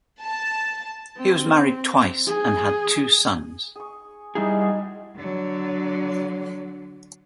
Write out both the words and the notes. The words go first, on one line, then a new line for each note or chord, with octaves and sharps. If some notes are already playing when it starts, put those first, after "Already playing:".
He was married twice and had two sons.
A5
C4
G#4
G#4 C#6
G3 D#4 E4 G#4 D#5
F#4
D3 F#3